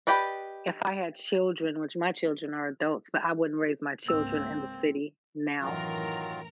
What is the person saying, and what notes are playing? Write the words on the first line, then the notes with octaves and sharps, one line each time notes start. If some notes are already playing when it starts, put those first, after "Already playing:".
if I had children, which my children are adults, but I wouldn't raise my children in the city now.
G4 B4 D5 D#5
C#2 G#2 A#3 C4 E6
F#2 A2 D#3 E3 F#3 F4 A#4